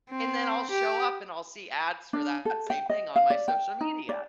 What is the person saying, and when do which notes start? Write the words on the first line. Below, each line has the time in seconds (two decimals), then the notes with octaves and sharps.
and then I'll show up and I'll see ads for that same thing on my social media.
0.10 C4
0.71 G4
2.13 D4
2.45 A4
2.70 G5
2.90 D#5
3.16 F5
3.30 D5
3.48 G5
3.81 D#4
4.09 D5